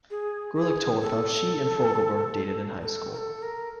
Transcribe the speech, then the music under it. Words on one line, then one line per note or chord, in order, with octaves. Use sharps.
Greulich told of how she and Fogelberg dated in high school.
G#4
G#4
A4
A#4
A4
A#4
A4
A#4